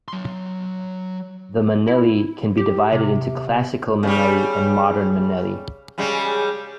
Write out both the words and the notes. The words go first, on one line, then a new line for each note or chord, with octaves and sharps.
The manele can be divided into "classical manele" and "modern manele".
F#3 C6
E4
G4
C3
C#3 G3
C#3 G3 G#3